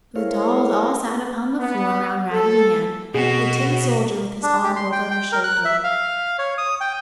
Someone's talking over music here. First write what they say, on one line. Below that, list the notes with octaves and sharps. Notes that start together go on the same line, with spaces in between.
The dolls all sat upon the floor around Raggedy Ann, the tin soldier with his arm over her shoulder.
E4 G#4 A#4 C5 C#5 F5
B3
A4
B2 B3 C4 F#4 G#4
D4
G4
C6
G5
G5
A#4
F#6
E5
F5
C#5
D#6
G5